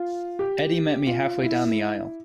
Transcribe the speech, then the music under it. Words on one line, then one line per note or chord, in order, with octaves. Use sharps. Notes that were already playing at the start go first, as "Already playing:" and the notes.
Eddie met me halfway down the aisle.
Already playing: F4
G4
F4
E4